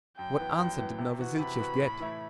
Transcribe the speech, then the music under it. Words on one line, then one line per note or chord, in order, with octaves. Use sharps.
What answer did Novosiltsev get?
F#2 G5
E3 B3
F#2
E3 B3
C3
E3 B3 F#4
C3 B5
E3 B3 F#4
A2
E3 A3 E4